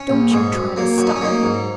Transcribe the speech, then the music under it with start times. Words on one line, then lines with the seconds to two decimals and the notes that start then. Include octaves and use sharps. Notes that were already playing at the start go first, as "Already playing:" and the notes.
Don't you try to stop me!
Already playing: C#4
0.10 A#1
0.31 G#2 G#3
0.53 F#2
0.77 F#3 A#3
0.98 F#2 F#4
1.07 D#4
1.16 C#4
1.21 F#3 A#3 D#4
1.43 G#2